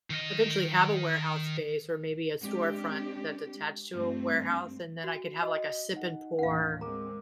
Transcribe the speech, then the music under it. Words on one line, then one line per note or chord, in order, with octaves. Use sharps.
eventually have a warehouse space or maybe a storefront that's attached to a warehouse, and then I could have, like, a sip and pour;
D#3 D#5
G#3 C4 D4 G4
G2 A3 C4
F#4
F#4 D#5
D#4 F#5
D#2 A2 E3 D4 F5 F#5
G#3 C4 A#4 A#5 D6